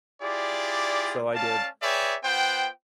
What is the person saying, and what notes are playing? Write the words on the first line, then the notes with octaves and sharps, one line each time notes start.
So I did.
E4 F4 G4 G#4 D5
C#4 D5 F5 A5
G#4 B4 C#5 D5 E5 G5
B3 F4 C5 F#5 G5